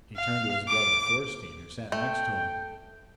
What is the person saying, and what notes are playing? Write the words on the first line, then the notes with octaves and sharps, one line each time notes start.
He turned to his brother Thorstein who sat next to him.
F5
D6
A3 G5